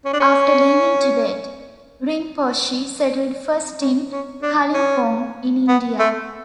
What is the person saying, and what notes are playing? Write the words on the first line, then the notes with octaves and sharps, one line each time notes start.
After leaving Tibet, Rinpoche settled first in Kalimpong, in India.
C#4
D4
C#4
C#4
C#4
D4
C#4
B3
A3